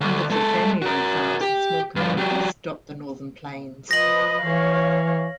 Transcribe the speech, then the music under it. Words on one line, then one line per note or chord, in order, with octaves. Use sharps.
Hundreds of family-owned farms and small communities dot the Northern Plains.
D2
G#3 A4
F#4 A#4
G4
G2 F3
F#3 G4
F3 B4 D#5 A#6 F#7
E3 C#5 F5